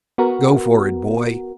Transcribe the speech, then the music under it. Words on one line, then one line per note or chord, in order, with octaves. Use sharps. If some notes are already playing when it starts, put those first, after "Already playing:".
Go for it, boy.
B3 F#4 A#4